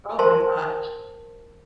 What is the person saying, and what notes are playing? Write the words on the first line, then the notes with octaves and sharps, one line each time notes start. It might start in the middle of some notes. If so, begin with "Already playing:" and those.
Oh my gosh.
A#4 C5 G#5 A5 C6